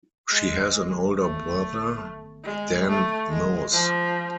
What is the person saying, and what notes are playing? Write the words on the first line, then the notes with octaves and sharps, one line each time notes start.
She has an older brother, Dan Moos.
G#3
A3
G#3
A3
G#3
F3